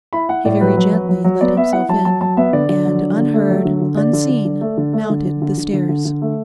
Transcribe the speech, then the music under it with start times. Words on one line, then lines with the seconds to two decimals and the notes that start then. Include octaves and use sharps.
He very gently let himself in, and unheard, unseen, mounted the stairs.
0.13 E4 B5
0.29 E4 F#5
0.45 A2 D5
0.61 F#3 B4
0.77 F#3
0.92 F#3
1.09 F#3
1.24 F#3
1.41 B3 D5
1.57 B3 E5
1.73 E4 F#5
1.89 F#3 A5
2.05 F#3 A5
2.21 F#3 A5
2.37 B3 E5
2.53 D3 D5
2.69 D3
2.85 F#3
3.01 D3
3.17 D3
3.34 A3
3.49 F#3
3.65 D3
3.81 D3
3.97 D3 D5
4.13 D3
4.29 D3
4.45 D3
4.61 A3
4.77 D3
4.93 A3
5.10 D3
5.25 D3
5.42 D3
5.58 D3
5.73 D3
5.89 D3
6.05 D3
6.22 A3